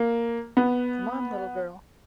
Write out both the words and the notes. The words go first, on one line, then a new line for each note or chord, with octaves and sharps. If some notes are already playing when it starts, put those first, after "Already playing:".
Come on little girl!
Already playing: A#3
B3